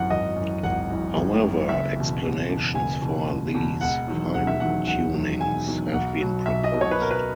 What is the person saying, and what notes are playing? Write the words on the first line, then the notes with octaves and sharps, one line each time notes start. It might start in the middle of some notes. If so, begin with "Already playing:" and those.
However, explanations for these fine-tunings have been proposed.
Already playing: G#1 F#2 E3 F#5
G#1 D#5
F#2 E3
G#1 F#5
F#2 E3
G#1
F#2 E3
F#1 E5
E2 B2
F#1
E2 B2
F#1 G#5
E2 B2
F#1
E2 B2
E1 F#5
E2 D#3 F#3
E1 F#5
E5
E2 D#3 F#3 F#5
E1 F#5
E2 D#3 F#3
E1 G#5
E2 D#3 F#3
B1 F#5
B2 F#3
B1 E5
D#5
B2 F#3
C#5
B4
B1 A#4
B4